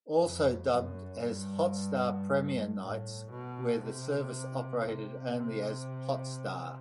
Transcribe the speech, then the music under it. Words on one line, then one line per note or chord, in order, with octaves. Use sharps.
Also dubbed as Hotstar Premiere Nights where the service operated only as "Hotstar".
F2
F#2
G2
A2
B2
C3
C3
C3